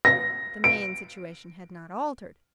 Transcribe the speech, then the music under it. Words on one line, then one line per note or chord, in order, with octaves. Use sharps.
But the main situation had not altered.
A#6
D7